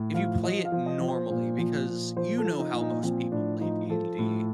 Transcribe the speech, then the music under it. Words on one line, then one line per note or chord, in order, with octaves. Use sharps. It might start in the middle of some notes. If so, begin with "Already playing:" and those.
if you play it normally, because you know how most people play D&D.
Already playing: A2
F3 F5
F3 D#5
F5
F3
D#5
F3
C5
A#2
F3
A#2
F3 C5
A4
F3
D#4
A#2
D#4
F3 C4
A2 D4
F3 D#4
F3 A4
A2